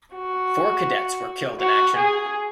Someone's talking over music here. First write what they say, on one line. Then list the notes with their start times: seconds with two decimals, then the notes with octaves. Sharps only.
Four cadets were killed in action.
0.14 F#4
1.59 F#4
1.95 G#4